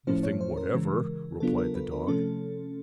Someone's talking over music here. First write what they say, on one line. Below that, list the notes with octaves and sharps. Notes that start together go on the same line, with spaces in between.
"Nothing whatever," replied the dog.
A2 F3 A3 C#4 E4 C5
C#5
C5
A#4
C#3 E3 G#3
C#3 F#3 B3 D4 F4 A4
A#4
B4
A#4
C3 F3 A3 C#4 A4